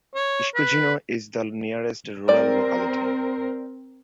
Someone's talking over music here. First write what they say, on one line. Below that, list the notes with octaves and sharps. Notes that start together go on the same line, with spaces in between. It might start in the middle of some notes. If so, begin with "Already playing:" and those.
Ishkuzhino is the nearest rural locality.
C#5
B4
G3 C4 A#4 C5 D5